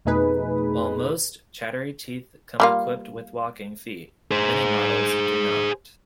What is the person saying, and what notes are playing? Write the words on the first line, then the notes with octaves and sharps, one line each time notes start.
While most chattery teeth come equipped with walking feet, many models do not.
F2 B2 A3 D#4 G#4 B4
G3 A#3 F4
G#4 C5